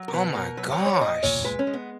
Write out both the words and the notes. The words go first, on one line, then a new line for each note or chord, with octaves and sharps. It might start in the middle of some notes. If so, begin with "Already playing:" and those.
Oh my gosh.
Already playing: F#3
A#4
B2 B4
B2 A#4
F#3 B4
C#5
F#3
C#5
A#2 D#5
A#2 C#5
G#3 B4
C#4
G#3
B3